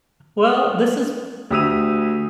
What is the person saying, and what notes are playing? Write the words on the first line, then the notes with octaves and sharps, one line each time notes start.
Well, this has
D2 G4 D#6 E6 D#7 F7